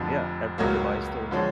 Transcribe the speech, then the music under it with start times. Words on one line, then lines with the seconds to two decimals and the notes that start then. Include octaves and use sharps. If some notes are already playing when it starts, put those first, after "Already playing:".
yeah, a Bürgermeister.
Already playing: F1 F2 D3 F3
0.58 C#2 C#3 F#3 A#3
1.31 D3 F3 G#3 C#4